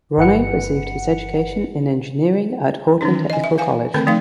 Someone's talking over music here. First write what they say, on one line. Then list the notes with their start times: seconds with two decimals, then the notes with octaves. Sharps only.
Ronne received his education in engineering at Horten Technical College.
0.18 G1 B4 F#5 C#7
3.01 D#3 E3 C#4 D#4
3.30 D#5 G#5
3.44 E5
3.58 B4 F5 G#5
3.94 D3 D#3 A3 C4 A4 A#4
4.07 F3 A3 D#4 F5